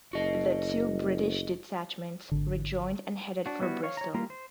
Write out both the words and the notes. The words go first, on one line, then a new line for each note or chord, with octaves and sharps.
The two British detachments rejoined and headed for Bristol.
F#1 F#4 D#5
G#1 D3
D4 F#4
G3 B3 E4 F#4
C#5 F5 C#6
C#5 A#5
G3 A#3 F4 A#5
C5